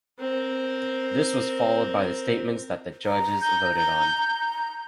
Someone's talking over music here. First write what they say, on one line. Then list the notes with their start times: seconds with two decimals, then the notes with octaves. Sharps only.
This was followed by the statements that the judges voted on.
0.19 C4 A#4
3.05 A#5
3.41 G6
3.75 G6